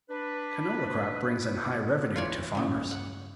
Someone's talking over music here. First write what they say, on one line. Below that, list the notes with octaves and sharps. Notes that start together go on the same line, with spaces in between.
Canola crop brings in high revenue to farmers.
D4 B4
E2 E3 F4 C#5 D5
G2 C#3 F#3
F#5